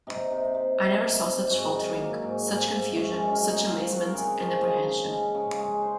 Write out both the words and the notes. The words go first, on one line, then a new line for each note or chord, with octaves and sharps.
I never saw such faltering, such confusion, such amazement and apprehension.
C3 D#4
C3
C3
C3
C3
C3
G#2 F#4
F#3
A#3
G#2
G#2
G#2
F#2 F#4
C#4
G#3
C#4
G#3
D#4
C4 F4
C4 F#4
A#4
C#3 G#4
F3
G#3
C#3
C#3
C#3
G#3
C5